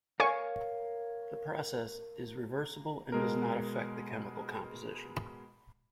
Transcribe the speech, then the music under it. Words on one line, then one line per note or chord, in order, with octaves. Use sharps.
The process is reversible and does not affect the chemical composition.
A#4 C#5 F5 G#5 C#6
B2 G#3 A#4